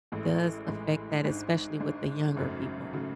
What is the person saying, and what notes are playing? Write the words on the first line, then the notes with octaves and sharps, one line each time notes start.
does affect that, especially with the younger people.
A1 A2 E3 G#3
A1 A2 E3 G#3
G#1 G#2 G#3 D4
G#1 G#2 G#3 D4
G#1 F#2 C#3 F#3 A3
C#3 F#3 A3